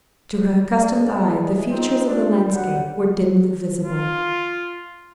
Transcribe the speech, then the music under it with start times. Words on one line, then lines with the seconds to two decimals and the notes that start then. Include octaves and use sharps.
To her accustomed eye, the features of the landscape were dimly visible.
0.75 G#3 D5
1.23 A2 E4 G#4
1.70 C4 D#4 F4
2.06 G3 D4 F4
2.52 B1 F#3 F#5
3.84 F4